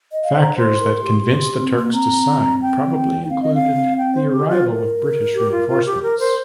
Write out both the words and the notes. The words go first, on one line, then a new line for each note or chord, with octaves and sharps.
Factors that convinced the Turks to sign probably included the arrival of British reinforcements.
D#5
F5
C5
A#5
C5 C6
A#4
G4
G4
G4
C4
A#3
C4 A#5
G5
D#4
C4 F5
D#5
F5
G5
C5
G4
D#5
F4 C5
A#4
G4
F4
F4
G4
A#4
A#4 C5